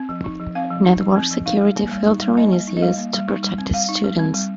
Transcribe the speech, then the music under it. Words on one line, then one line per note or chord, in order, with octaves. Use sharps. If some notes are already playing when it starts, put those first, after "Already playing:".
Network security filtering is used to protect students.
Already playing: C4
F3
D#4
F3
C4 F5
F3
D#4
F3
C4
F3
D#4 F5
G3
A#3
G3
D#4
G3
A#3 D#5
G3
D#4
D#5
G3 F5
A#3
G3
D#4
G3
C4
G3 F5
D#4
G3
C4
G3